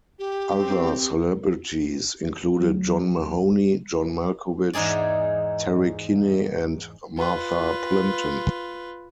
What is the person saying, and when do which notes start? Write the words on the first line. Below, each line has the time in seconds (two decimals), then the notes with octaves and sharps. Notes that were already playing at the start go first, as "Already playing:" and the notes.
Other celebrities included John Mahoney, John Malkovich, Terry Kinney and Martha Plimpton.
0.19 G4
0.57 C4
2.60 F#3
4.73 E2 G#2 D#4 G#4 D5
7.17 F4 B4